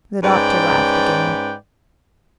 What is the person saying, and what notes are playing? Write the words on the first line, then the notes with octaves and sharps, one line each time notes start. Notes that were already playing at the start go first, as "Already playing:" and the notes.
The doctor laughed again.
G#2 C#4 B4 D5 G5